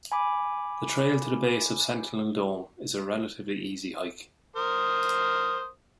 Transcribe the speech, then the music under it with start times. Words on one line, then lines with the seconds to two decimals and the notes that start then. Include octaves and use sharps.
The trail to the base of Sentinel Dome is a relatively easy hike.
0.12 G#5 B5 D6
4.56 A#4 C5 D#6